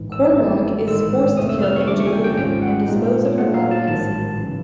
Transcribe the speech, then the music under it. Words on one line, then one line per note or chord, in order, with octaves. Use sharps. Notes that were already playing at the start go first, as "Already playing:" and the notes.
Cormac is forced to kill Angelina and dispose of her body at sea.
Already playing: A1 G#2 E3
E6
G#1 G#2 E3 A3
A1 G#2 D#3 G#3 E6
F2 C3 E3 A3 D#6
E6
F6
C#6
D#2 C#3 F3 A3 D4 D6
C#6
G#5
G5
G5
G#1 G#2 F3 G#3 C#4 G5
F#5
A#2 F3 G#3 C4 D#4
A#2 F3 A3 D4 F4 F#5
F5
A5
A1 G#2 D#3 F#3 A5
C#3 E3